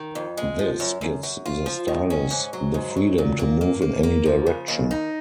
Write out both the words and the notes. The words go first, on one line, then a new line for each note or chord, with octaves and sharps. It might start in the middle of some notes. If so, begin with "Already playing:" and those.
This gives the stylus the freedom to move in any direction.
Already playing: D#3
F2
G#3
F3
F#2
F#2
F#2
F4
F3
D#3
C#4
G#2
F#3
G#2
F#3
A#2
A#3
A#3
A#3
A#3
F3
C#3
D#2
D#4